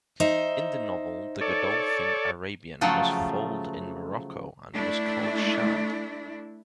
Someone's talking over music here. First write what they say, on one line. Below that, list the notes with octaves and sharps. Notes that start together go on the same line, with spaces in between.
In the novel, the Godolphin Arabian was foaled in Morocco and was called Sham.
D#4 C5 E5
A4 C#5 D5
C#3 F3 F#3 A3
A3 D4 E4